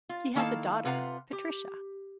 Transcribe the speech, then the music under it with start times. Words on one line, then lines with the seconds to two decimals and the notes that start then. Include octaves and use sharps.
He has a daughter, Patricia.
0.09 F4
0.35 D#3 A#3 E4 A4 F5 A5
0.85 C3 F4 B4 F#5 A#5
1.33 G4